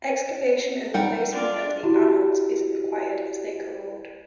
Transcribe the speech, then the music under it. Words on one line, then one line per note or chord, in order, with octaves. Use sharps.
Excavation and replacement of the anodes is required as they corrode.
G3 D#4 F#5 G5
D4 F4
E4 F#4 G4